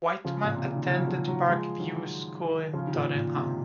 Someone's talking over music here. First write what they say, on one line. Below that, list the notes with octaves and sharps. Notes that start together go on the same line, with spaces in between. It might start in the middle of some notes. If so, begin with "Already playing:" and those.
Whiteman attended Park View School in Tottenham.
C#3 F3
A#2
C3
C#3
D#3
C#3 F3
F#3
C#3 F3
D#3 F#3
F3 G#3
D#3 F#3
C#3 F3
D#3
A#2 C#3
A#2
G#2 C3